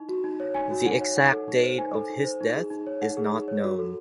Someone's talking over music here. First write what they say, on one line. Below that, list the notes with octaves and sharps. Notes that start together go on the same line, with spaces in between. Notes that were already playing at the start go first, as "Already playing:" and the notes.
The exact date of his death is not known.
Already playing: D#4 E4
F#4
D#4
C#5
D#4 G#5
F#4
D#4 F#5
C#5
D#4 F#5
A4
D#4
C5
D#4 G#5
A4
D#4
C5
D#4
G#4
D#4
C#5
D#4 F#5
G#4
D#4
C#5
F#4
A4